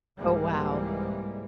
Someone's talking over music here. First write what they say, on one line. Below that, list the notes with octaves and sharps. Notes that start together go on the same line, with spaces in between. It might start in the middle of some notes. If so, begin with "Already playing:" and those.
Oh, wow.
C2 G#2 E3 G3 G#3 A#3